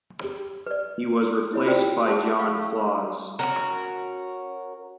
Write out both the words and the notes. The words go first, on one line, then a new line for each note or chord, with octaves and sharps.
He was replaced by John Claus.
G4
B4 D5
E4 C#5 B5
F4 F#4 A#4 C5 D5 G5
G#4 F#5 A5
F5 C#6
C#4 F#4 A#4